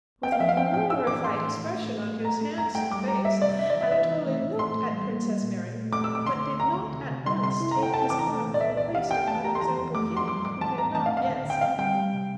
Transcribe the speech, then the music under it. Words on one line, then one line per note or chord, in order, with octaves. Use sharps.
With a horrified expression on his handsome face, Anatole looked at Princess Mary, but did not at once take his arm from the waist of Mademoiselle Bourienne who had not yet seen her.
C4 G5
F5
F3 E5
F5
C4 G5
A2 G5
D4 E6
E3 D6
A2 C6
A2
A2
A3
A3
A3
A3 A#5
A3
G2 A#5
A3 G5
G3 D6
G3 A#5
G3 E5
C3 D5
D4 E5
D5
E3
E5
E3 E5
E3
A3
A2
A2 C6
A3
G3
A#3
G3
A#2
A#2
A3
A3 D6
E6
A3
D6
D3 C6
D2
D2 A#5
D3
C3
C3
G3 C6
C3 C6
E4
A#5
A4
G5
A4 A5
G5
E3 D6
A#5
A3
A#2
D5
C2 E5
C2 D5
G4 F5
E3 G5
A3 A5
G4 A#5
C6
E3 A#5
F2
A3 D6
F2
C6
G3 D6
A2 D6
E3 A5
A2 A#5
A3 A5
F5
D2
F5
D3
D3 G5
C4 F5
G3 G5
G3
C3